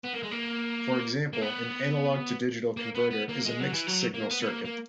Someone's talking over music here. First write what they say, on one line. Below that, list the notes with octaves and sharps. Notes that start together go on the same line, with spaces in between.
For example, an analog-to-digital converter is a mixed-signal circuit.
B3
A#3
G#3
A#3
A#3
B3
A#3
B3
B3
A#3
G#3
F#3
E3
F#3
A#3
B3
B3
A#3
A#3